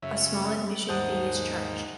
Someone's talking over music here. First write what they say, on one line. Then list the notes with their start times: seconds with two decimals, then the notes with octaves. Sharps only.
A small admission fee is charged.
0.02 F#2 C#3 E5
0.89 D#2 G#2 C5 F#5 A5 D#6